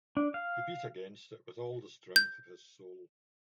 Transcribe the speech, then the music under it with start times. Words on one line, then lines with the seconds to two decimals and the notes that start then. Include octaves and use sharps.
He beat against it with all the strength of his soul.
0.17 D4
0.34 F5
2.16 G6